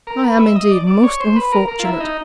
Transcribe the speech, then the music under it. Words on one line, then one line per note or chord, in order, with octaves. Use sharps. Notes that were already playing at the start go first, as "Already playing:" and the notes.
I am indeed most unfortunate.'
A#4
B4
E5
D#5
D5
D5
C#5
C5
B4
A#4
A#4
F4
E4
D#4